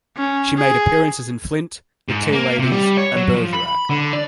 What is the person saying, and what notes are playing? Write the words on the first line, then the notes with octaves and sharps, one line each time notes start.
She made appearances in "Flint", "The Tea Ladies" and "Bergerac".
C#4
G#4
G#2
A#3
C3
G3
C#5
F#3
F3
B5
D3
D5